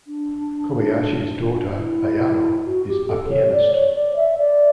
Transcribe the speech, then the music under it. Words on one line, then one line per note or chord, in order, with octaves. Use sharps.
Kobayashi's daughter Ayano, is a pianist.
D4
E4
F#4
G4
A4
C#5
D5
C#5
D5
E5
D5